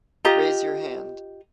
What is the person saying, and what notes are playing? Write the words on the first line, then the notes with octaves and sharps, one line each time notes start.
Raise your hand.
F4 G4 D#5 A#5